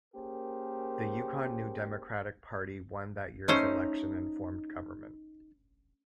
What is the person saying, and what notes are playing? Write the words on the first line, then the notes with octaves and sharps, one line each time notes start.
The Yukon New Democratic Party won that year's election and formed government.
A#3 C#4 G4 G#4 A#4 C5
A3 C#4 D#4 C5